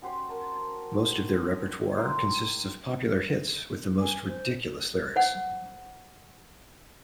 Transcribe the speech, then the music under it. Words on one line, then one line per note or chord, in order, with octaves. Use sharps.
Most of their repertoire consists of popular hits with the most ridiculous lyrics.
C#4 F#4 G4 C5
A#4 A5
G5 A#5 C6
G#5
C5
C5 F#5